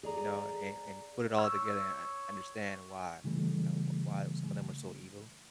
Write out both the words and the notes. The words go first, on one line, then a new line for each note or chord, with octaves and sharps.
you know, and and put it all together and and understand why you know, w why some of them are so evil,
G#4 D5 A#5
C#5 E6
C#3 E3 G3 A3